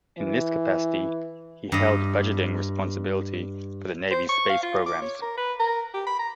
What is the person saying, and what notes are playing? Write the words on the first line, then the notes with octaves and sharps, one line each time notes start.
In this capacity he held budgeting responsibility for the Navy's space programs.
E3
G2 D#5
C5
C#6
F5
F4
D6
C#5
A#4
B4
A#4
G4
B5
A#5